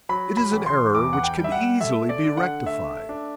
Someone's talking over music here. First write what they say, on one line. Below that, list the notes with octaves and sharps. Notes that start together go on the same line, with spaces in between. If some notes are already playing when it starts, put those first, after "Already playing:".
"It is an error which can easily be rectified."
F#3 B5
B5
A1
C6
E2 D6
F#5
G5
G3
E5
F#5
A3 E5
D5
D3
F#5
A3 E5
D4